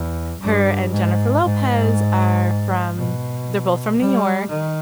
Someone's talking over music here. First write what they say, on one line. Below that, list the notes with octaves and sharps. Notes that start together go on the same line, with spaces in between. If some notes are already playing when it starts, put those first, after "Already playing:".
her and Jennifer Lopez are from they're both from New York,
Already playing: E2
G2
G#2
G#2
B2
G3
D#3